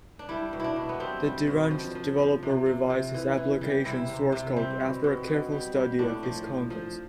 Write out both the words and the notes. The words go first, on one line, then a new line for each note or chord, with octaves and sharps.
The deranged developer revised his application source code after a careful study of its contents.
D4
G3 E4
B2
D4 E4
B2
B3
G3 C4
G3
B2
F3
F3
F3
C3
C3
C3
E3
E3
G3
C3 E4
C3
C3
G3 C4
B2
B2
B2
G3
G3
A2 D4
F3
F3
F3